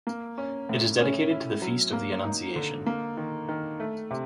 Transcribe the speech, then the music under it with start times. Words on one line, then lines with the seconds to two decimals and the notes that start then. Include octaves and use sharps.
It is dedicated to the Feast of the Annunciation.
0.07 A#3
0.38 C#4
0.69 A2
1.00 C#4
1.31 E4
1.62 F#3
1.93 A#3
2.25 D#4
2.56 D3
2.86 A#3
3.17 D#3
3.49 D#3
3.80 A3
4.11 C3